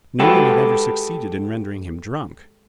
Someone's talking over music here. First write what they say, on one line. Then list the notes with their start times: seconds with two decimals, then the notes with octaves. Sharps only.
No one had ever succeeded in rendering him drunk.
0.19 G#3 F#4 G4 A4 B4